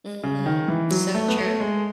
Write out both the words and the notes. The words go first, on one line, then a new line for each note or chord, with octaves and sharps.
Mhm, so true.
C#3
D#3
E3
F#3
A3
B3
A3
G#3